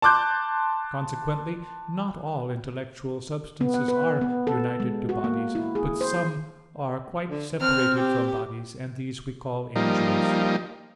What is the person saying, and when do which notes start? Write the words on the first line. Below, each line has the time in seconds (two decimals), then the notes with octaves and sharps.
Consequently not all intellectual substances are united to bodies; but some are quite separated from bodies, and these we call angels.
0.02 A5 C6 D6 F#6 G6
3.61 B3
3.74 F#5
3.88 B4
4.21 B3
4.47 A4
4.80 G#3
5.09 F#4
5.24 A#3
5.55 E4
5.75 G#4
6.01 C5
7.28 D3
7.61 C4 F6
7.96 G4
9.76 F3 G3 A#3 D#4